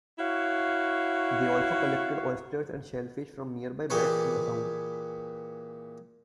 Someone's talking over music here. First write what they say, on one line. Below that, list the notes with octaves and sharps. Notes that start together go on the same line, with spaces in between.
They also collected oysters and shellfish from nearby beds in the Sound.
E4 F#4 C#5 F5
A#2 E3 G4 G#4 B4 C#5